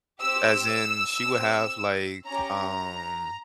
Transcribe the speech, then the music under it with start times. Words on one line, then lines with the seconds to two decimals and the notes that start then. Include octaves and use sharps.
as in, she would have, like, um
0.20 C4 G4 E6
1.24 C4 G4
2.26 C#4 G4 A#5